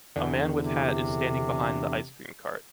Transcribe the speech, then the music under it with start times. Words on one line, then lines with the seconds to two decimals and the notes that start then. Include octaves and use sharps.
A man with hat is standing behind the ice cream kart.
0.16 E2 D3
0.57 C3